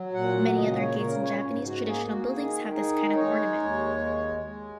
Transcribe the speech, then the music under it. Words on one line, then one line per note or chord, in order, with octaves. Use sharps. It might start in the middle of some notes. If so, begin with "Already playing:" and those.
Many other gates in Javanese traditional buildings have this kind of ornament.
Already playing: F#3
A#2 F#5
C#3 D#5
C#5
C#3 A#4
C#5
G#2
F#4
A#3 G#4
F#4
D#3 G#4
D#4 G#4
D#5
G#3 C#5
D#2
G#3
G#3